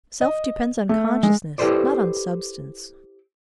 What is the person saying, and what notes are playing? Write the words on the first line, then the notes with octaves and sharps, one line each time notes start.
Self depends on Consciousness, not on Substance.
D#5
A3
G#3
E4 G4 A4 B4 C5 D5